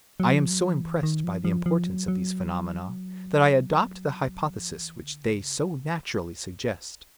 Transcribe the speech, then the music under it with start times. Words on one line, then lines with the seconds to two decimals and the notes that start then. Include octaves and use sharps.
I am so impressed by the importance of these phenomena that I adopt the hypothesis which they so naturally suggest.
0.20 F#3
0.36 F3
0.50 F#3
0.66 F3
0.82 E3
1.03 D#3
1.24 F3
1.45 F3
1.66 F3
1.87 F#3
2.08 F#3
4.59 F3
4.81 E3
5.01 D3
5.23 C#3